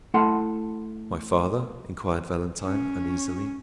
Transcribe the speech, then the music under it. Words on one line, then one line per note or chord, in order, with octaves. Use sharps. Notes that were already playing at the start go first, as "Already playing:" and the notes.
"My father?" inquired Valentine, uneasily.
A3 E4 A4 F#5 A5 C6
C#4